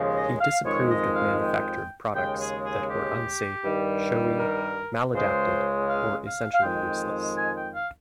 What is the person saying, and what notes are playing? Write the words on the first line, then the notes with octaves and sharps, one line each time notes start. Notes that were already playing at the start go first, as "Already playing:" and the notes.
He disapproved of manufactured products that were unsafe, showy, maladapted, or essentially useless.
Already playing: D#2 C#3 F3 G#3
D#5
F5
F2 D#3 G#3 C#5
D#5
F5
G5
D#2 C#3 G#3 G5
G#4
G#4
G4
G2 D#3 G3
A#4
C#2 C#3 G#3 C5
F5
F5
F5
F2 D#3 G#3 G5
G#5
G5
F5